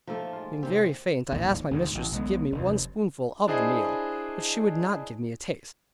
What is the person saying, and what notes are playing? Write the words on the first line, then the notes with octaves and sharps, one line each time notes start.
Being very faint I asked my mistress to give me one spoonful of the meal, but she would not give me a taste.
D#3 F3 A3 A#3 A4
G#3 F4
C3 D#3 C4 G4
A#1 D#2 A2
D2 G#2 D#3
A1
B1 G#3 B3
F1 D#2
D4 E4 G#4 C5 D#5 G#5